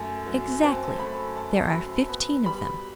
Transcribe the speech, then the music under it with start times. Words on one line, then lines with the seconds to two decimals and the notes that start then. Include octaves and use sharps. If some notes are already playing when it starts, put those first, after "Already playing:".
"Exactly; there are fifteen of them."
Already playing: F#2 A3 A5
0.26 F#3
0.63 C4 A5
0.99 A3 B5
1.36 F#2 A5
1.73 F#3 B5
2.09 B3 B5
2.46 G3 B5